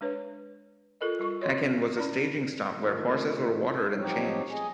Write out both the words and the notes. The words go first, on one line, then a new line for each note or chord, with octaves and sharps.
Pekin was a staging stop where horses were watered and changed.
G#3 D4 B4 C#5
F4 A4 A#4 D#5
G3 F4 C#6
F#4 C#5 D#5 C6
C#4 E4 D5 B5
A#2 D#3 A3
F3 F#3 C4 D#4 G4 C#5
G#4 D#5 G#5